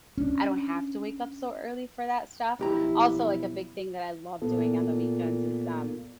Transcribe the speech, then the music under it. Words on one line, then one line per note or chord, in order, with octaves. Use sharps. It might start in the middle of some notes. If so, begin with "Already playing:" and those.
I don't have to wake up so early for that stuff. Also, like, a big thing that I love doing on the weekends is, um,
C#4 D4
B1 F3 E4 G4 A#5
A#2 B3 F4 A4